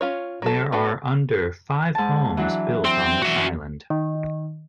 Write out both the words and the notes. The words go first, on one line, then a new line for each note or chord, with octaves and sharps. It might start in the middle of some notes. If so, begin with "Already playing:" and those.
There are under five homes built on this island.
C#4 F4 C#5
F#3 A4
A3 B3 D4 F#4 A4
G#2 A5
E3 F#3 D4
C4
F#4 E5
D#3